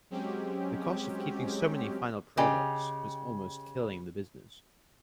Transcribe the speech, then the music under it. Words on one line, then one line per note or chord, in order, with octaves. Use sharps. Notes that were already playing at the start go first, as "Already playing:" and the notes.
The cost of keeping so many final products was almost killing the business.
F#3 G#3 C4 C#4 G4
C#3 G4 D#5 G5 G#5